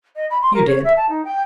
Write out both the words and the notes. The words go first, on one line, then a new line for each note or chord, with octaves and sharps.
"You did."
D#5
B5
C6
A#4
C#5
E5
A5
D#4
G5